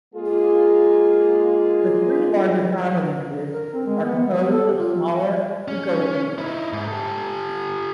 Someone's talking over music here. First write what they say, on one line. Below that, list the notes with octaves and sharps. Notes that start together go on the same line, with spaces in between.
The three larger provinces are composed of smaller ecoregions.
G#3 A#3 F4 G#4
A#4
C4
G#3
B3
B3
B3
A4
G4
F4
C#4
D#4 E4
G#2
G4 A4